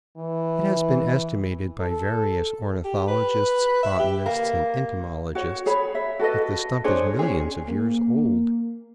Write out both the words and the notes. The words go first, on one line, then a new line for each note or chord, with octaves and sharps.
It has been estimated by various ornithologists, botanists and entomologists that the stump is millions of years old.
E3
A4
G4
B4
E5
G4
A#3
F#4 C#5
G#4 C#5 B5
E5
F#4 A4 B4 D#5
D4 G#4 C5 C#5
C#4 G#4
A#3